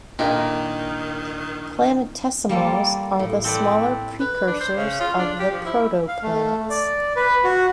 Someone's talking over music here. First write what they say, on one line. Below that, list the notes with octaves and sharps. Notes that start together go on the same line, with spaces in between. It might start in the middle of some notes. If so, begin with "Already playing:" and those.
Planetesimals are the smaller precursors of the protoplanets.
A#2 D#3 D4 E4 A#4 D#5 G5
G3 A#3 F4 A4
A2
C4 A4 B4 D5
B4
D4
C5
C#3
F4
D4
G4
F3
E4
F5
A3
D5
B4
F#4